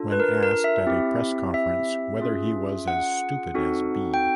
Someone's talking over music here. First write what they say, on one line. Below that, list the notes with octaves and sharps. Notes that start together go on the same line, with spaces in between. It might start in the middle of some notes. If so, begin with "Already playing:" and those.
When asked at a press conference whether he was as stupid as B.
Already playing: D4 F4 A4
B4
A#4
A#4
E5
C4 E4 G4
E5
C#4 F4 G#4
F#5
C4 D#4 F#4 A4
G5